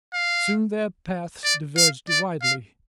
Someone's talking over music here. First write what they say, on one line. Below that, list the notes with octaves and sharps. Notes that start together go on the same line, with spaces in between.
Soon their paths diverged widely.
F5
D5
F5
D5
F5